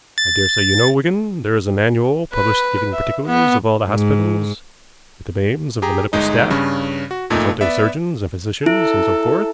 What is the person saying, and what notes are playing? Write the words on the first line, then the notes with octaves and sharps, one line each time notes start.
I daresay you know, Wigan, there is an annual published giving particulars of all the hospitals, with the names of the medical staff, consulting surgeons and physicians, and so forth.
A6
B4
E5
B3
G#2
G4 G#4 A#5
G1 G#3 D#4
G2 C#3 C#4
F#4
F2 A#2 A3 D#4
B3 D5 E5
E4 A4